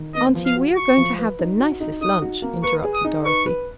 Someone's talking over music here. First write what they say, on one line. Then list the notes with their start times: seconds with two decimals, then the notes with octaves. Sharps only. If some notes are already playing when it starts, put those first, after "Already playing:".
"Aunty, we are going to have the nicest lunch," interrupted Dorothy.
Already playing: D#3
0.14 B3 D#5
0.35 F3
0.46 F5
0.56 F#4
0.76 F#4 C#6
0.97 F3
1.19 B4
1.39 D#4
1.60 F#4
1.80 D#4
2.01 D#4 D#6
2.22 F#4
2.42 A#3
2.63 B4 C#6
2.84 G#4
2.94 D#6
3.05 D#4
3.25 B4 C#6
3.46 B4